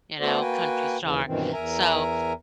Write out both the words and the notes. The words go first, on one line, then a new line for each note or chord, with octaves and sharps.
you know, country star." So,
A3 B3 F#4 A4 C5 D5
A#3 F#4 B4 G5 G#5
D#2 C#3 E3
G2 B2 D#3 E3 C4
E2 A#4 E5 G#5 A#5